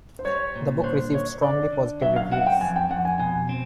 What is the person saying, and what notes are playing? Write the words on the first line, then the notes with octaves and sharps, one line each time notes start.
The book received strongly positive reviews.
C5
G3 C#5
A#2
C#5
D3 C5
D3 C#5
D3 D5
D3
F#3 E5
F5
C4 F#5
G5
F2 G#5
G5
F2 F#5
G#5
B2 G#5
C4